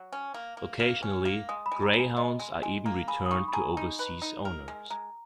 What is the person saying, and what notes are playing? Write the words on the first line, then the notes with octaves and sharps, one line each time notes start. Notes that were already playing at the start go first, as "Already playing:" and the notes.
Occasionally greyhounds are even returned to overseas owners.
Already playing: F#3
C#4
A#3
A#3
A#3
C#4
A#3
G#3 D#6
B5
G#3
A#5
G#3
G#5
G#3 D#5
G#3
G#3 G#5
A#3 A#5
G#4 B5
D#6
D#4 C#6
B5
G#4 A#5
D#4
B4
D#4
A#4
G#3
G#3 A#5